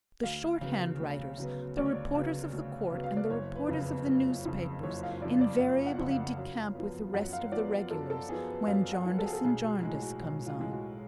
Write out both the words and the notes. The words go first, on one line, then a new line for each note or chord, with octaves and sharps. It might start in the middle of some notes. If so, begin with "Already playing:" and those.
The short-hand writers, the reporters of the court, and the reporters of the newspapers invariably decamp with the rest of the regulars when Jarndyce and Jarndyce comes on.
D2 F5
C#3 F#3 B3
D2
C#3 F#3 B3
D2 D5
C#5
D5
C#3 F#3 B3
D2
C#3 F#3 B3
F5
D5
F#1 C#5
B4
F2 C#3
B4
F#1
F2 C#3
F#1 C#5
F5
F2 C#3 D5
D5
F#1 F5
F#5
F2 C#3
F5
F#2
F3 B3
F#2 F#5
F5
F3 B3 D5
F#2 A4
A4
F3 B3 G#4
B4
F#2 F5
F#5
F3 B3
A4
G#4
A4
B1 G#4
F#4
A2 G#3 F#4
F#4
B1 F#4
F4
A2 G#3
F#4